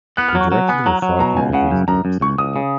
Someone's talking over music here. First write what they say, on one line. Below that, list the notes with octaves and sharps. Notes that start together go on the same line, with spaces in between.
The directions were far too confusing to understand.
B3 F#6
F6
F#3
C#6
F#3
B3 G#5
F#3 A#5
F#3
B2 A#5
C#2 G#5
C#3 F#5
F#2
F#2 A#5
F#2
C#2 C#6
C#2 D#6
C#3